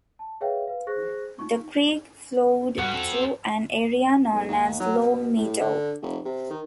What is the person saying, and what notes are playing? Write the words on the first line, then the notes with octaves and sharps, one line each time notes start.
The creek flowed through an area known as Long Meadow.
A5
G#4 B4 C#5 E5 F5 G5
B4 F5
G#4 C5 C#6 F#6 A#6
D#4 F4 C#6
G2 G3 F#4
C4 A4
B1
D#2
F#3
B2
A2
D3
F1
C3
D#3